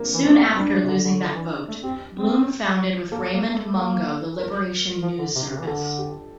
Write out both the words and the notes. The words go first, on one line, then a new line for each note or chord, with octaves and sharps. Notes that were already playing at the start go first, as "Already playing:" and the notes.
Soon after losing that vote, Bloom founded with Raymond Mungo the Liberation News Service.
Already playing: A#3 C4 D4
E3
A3 C4
A#3
G3 D4
F3
C3
D3
D3
D3
E3
A3
C4 G4
C4
A#3 A4
A#3
A3
A3
A#3
A#4
F3
D3
C3
C3
E3
D3 A4
G4